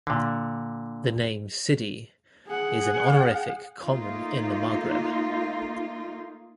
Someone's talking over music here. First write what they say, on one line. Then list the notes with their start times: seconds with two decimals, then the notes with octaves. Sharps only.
The name "Sidi" is an honorific common in the Maghreb.
0.07 A#2 D3
2.48 G#4 F#5
3.84 A3 A#3 D#4 F4